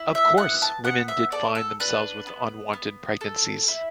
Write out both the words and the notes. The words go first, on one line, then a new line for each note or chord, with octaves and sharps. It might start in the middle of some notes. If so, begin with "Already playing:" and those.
Of course, women did find themselves with unwanted pregnancies.
Already playing: E4
E5
B3 F#5
A5
B3 F#5
E5
A4 D5
A4
D4 B4
B3
B3
A4
E4